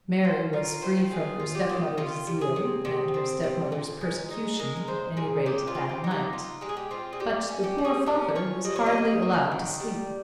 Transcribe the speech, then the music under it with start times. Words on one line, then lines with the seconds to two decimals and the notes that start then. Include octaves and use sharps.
Mary was free from her stepmother's zeal and her stepmother's persecution at any rate at night;--but the poor father was hardly allowed to sleep.
0.24 C#4 C5
0.53 F4 A#4
0.82 D#3 C5
1.11 F4 G#4
1.40 F4
1.55 G4
1.69 D#3
1.98 C3 F4
2.27 C3
2.41 G#4
2.56 C3
2.85 C3
3.14 C4
3.43 C3
3.72 A#2
4.01 G#3
4.30 D#4
4.59 G#3 A#4
4.77 A#4
4.87 G#3 C5
5.17 A#2 G#4
5.46 G#3 G4
5.67 F4
5.75 C4
5.89 G4
6.04 D#4
6.11 G4
6.33 D#4 F4
6.61 G#3 G4
6.69 G#4
6.77 G4
6.91 C4 F4
7.13 G#4
7.20 G3 G4
7.49 C#4
7.63 G4
7.78 G3
7.85 G#4
8.06 C#4 A#4
8.35 F4 C#5
8.64 G3 D#5
8.76 C#5
8.86 D#5
8.93 D#4
9.22 A#3
9.52 D#3
9.80 G3